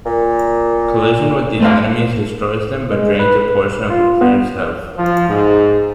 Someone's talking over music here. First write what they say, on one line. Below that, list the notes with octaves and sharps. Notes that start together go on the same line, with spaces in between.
Collision with these enemies destroys them but drains a portion of the player's health.
A#2
A3 C5 F5
G#3
B4
F4
B3
F3
G#2